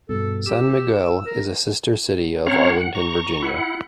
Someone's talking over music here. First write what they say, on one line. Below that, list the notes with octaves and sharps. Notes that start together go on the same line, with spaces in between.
San Miguel is a sister city of Arlington, Virginia.
G2 B2 A4
G4 E6
A#4
C4 C#4 C#5 F5 F#5 A#5
F#5
A#5 C#6
E4 F#5